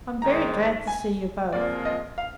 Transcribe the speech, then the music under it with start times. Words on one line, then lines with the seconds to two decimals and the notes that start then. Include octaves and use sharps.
I'm very glad to see you both.'
0.21 G#2 D#3 G#3 A#5
0.87 G#5
1.53 C3 F3 A#3 F4 G#4 D5
1.85 D#5
2.18 F5